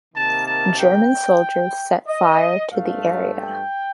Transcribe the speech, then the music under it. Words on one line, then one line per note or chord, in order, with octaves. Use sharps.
German soldiers set fire to the area.
C3 D#3 A#3 A5
A5
G5
D#5
G2 F3 A3 F5
G5